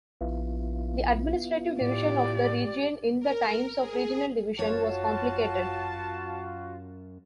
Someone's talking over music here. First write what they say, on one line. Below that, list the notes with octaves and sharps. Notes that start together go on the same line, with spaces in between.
The administrative division of the region in the times of regional division was complicated.
A#1 B3 E4 F4
A2 G4 D5
A#4
G#4
F#2 F4 F#4 C#5 A5